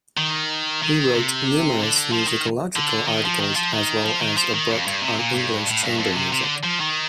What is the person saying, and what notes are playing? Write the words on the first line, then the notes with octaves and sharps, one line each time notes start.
He wrote numerous musicological articles as well as a book on English chamber music.
D#3
D#3
C3
D3
F3
D#3
D3
D#3
F3
D#3
F3
D#3
F3
D#3
F3
D#3
F2
G2
C3
A#2
G2
A2
G2
F2
C3
C3
D3
F3
D#3